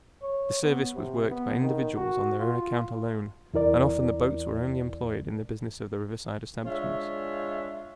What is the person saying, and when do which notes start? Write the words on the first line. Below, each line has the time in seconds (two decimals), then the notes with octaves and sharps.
The service was worked by individuals on their own account alone, and often the boats were only employed in the business of the riverside establishments.
0.22 C#5
0.63 B3
0.94 C3
1.29 B3
1.61 D#3
1.96 F#4
2.39 F4
3.54 E2 E4 A#4 D5
6.65 G#3 D4 F4 C#5 E5